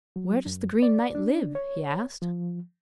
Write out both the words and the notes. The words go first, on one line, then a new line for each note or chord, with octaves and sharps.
'Where does the Green Knight live?' he asked.
F#3
F#2
D5
D4
C#5
F3